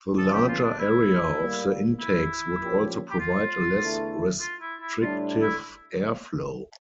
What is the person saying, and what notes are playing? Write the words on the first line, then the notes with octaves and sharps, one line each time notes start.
The larger area of the intakes would also provide a less restrictive airflow.
C#2 C#3 F3 A4
G4
F4
D4
E4
A2 G3 A#3
E4
A#2 F3 A#3 C#4 G4
G4
F4
E2 D3 A3 E4 A4
F4
E4
E4
A2 G3 D4 F4
E4